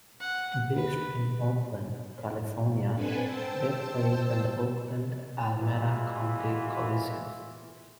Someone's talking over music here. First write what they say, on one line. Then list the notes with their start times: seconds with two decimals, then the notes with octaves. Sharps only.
Based in Oakland, California; they played at the Oakland-Alameda County Coliseum.
0.20 F#5
0.75 B4
2.94 C4 D4 A4 B4 F#5 G#5
3.23 C5 G5 A5 E6
5.59 B2 E3 G#3 F4